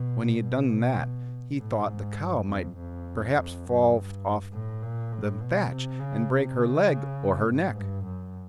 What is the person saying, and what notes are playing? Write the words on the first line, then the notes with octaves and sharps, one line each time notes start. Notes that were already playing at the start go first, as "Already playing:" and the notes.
When he had done that, he thought the cow might perhaps fall off the thatch and break her legs or her neck.
Already playing: B2
B2
A2
G#2
G2
F2
F2
F2
F#2
G2
A2
A#2
A2
B2
C3
C#3
C3
C#3
G#2
G2
F#2